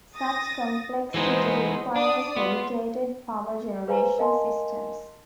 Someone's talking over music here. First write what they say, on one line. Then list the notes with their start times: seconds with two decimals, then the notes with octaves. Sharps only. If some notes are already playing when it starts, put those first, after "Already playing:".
Such complexity requires dedicated power-generation systems.
0.16 D#6 A6 A#6
1.14 E3 G#3 B3 D#4 C5 D#5
1.96 D4 D5 D#6
2.37 B3 F4
3.87 G#4 B4 C5 F5 G#5 A#5
4.18 A#4 D#5 F5 G#5 A5 C6